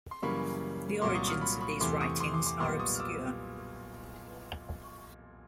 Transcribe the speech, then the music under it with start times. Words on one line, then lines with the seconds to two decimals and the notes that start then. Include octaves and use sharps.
The origins of these writings are obscure.
0.11 C6
0.22 F#2 C#3 E3 G3 A#3 B5 C#6
1.02 C2 A#2 F#3 A#3 C6 D6
1.15 C#6 D#6
1.28 D#6 F6
1.41 B5 C#6
1.61 B5 C#6
1.80 E2 C3 E3 A3 C6 D6
2.01 C#6 D#6
2.20 C6 D6
2.34 C6 D6
2.46 C6 D6
2.60 B1 A#2 G3 B3 C6 D6
2.79 C#6 D#6
2.95 F6
3.00 D6 E6